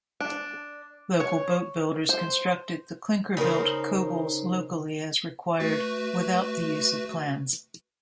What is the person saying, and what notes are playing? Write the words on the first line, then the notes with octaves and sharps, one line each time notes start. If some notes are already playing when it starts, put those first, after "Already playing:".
Local boat-builders constructed the clinker-built cobles locally as required, without the use of plans.
D4
C#5
C5
C#3 D#4 A#4 C5
A3 F#4 B4